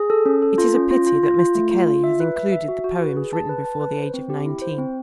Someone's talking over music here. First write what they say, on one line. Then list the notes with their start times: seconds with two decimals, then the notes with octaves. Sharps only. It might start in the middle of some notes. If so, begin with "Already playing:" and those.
It is a pity that Mr. Kelly has included the poems written before the age of nineteen.
Already playing: G#4
0.10 A4
0.26 C#4
0.42 A4
0.58 F4
0.75 C#4
0.91 F4
1.07 F4
1.23 F4
1.39 F4
1.55 A3
1.71 F4
1.88 F4
2.04 E5
2.20 B4
2.36 E5
2.52 E5
2.68 F#4
2.84 F#4
3.01 B4
3.17 G#4
3.33 A5
3.49 B4
3.65 A5
3.81 B4
3.98 C5
4.14 C4
4.30 G4
4.46 E4
4.62 C5
4.78 C4